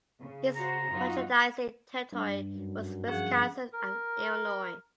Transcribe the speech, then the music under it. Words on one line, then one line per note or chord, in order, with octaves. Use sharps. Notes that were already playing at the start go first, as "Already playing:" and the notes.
His merchandising territory was Wisconsin and Illinois.
C#3
F#4 C5 A#5
F#2 F#3 D#4 F4 F#4
G2
F#2
F3 C#4 G#4 F#5
A#4